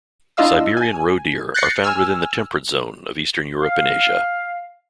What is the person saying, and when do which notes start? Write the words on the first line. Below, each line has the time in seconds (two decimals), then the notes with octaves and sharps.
Siberian roe deer are found within the temperate zone of eastern Europe and Asia.
0.37 D4 E4 F4 D#5 F5 E6
0.77 G#5
1.54 F#6 G6 A6 A#6 C7 C#7
1.83 G#5 E6 F6
3.62 F5